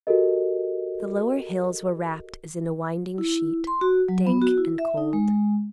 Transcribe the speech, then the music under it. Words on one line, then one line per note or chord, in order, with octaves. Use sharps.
The lower hills were wrapped as in a winding sheet; dank and cold.
F#4 G4 A4 A#4 D#5
E4
C6
F#4
F#3
B3
F#4
E4
E5
D#4
G#3